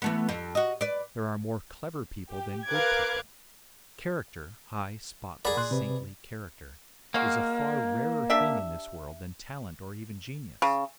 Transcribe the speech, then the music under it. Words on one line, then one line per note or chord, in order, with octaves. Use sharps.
There are more clever people than good people; character,--high, spotless, saintly character,--is a far rarer thing in this world than talent or even genius.
E3 A3 B3
F2
F#4 D#5
B4 D5
G4
A#4 B4 F5 D6 F#6 G#6
G#4 A#4 D5 F#5 B5
A#2 C6 F#6
C3 B4
G#3 A#3 F#4 F5
D4 G4 E5
C#3